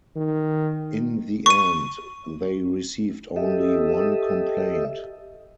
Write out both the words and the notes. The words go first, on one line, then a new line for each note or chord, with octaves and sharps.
In the end they received only one complaint.
D#3
C#6 D#7
G4 A4 D#5 E5